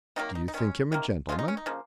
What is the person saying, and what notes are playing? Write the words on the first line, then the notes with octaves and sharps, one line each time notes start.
"Do you think him a gentleman?"
C3 D#3 F#3 A#3 D#4
D#4
D#4
D#3 G#3 C#4
C3 D#3 A#3
C#3 F3 G#3 F4
D#4
C#4
D#4
C#3 F3 A#3